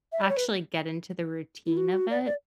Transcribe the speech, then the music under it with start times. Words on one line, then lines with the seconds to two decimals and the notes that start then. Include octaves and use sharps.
actually get into the routine of it,
0.12 E5
0.21 D5
0.29 C#5
0.37 B4
1.66 E4
1.77 F#4
2.10 D5
2.26 D5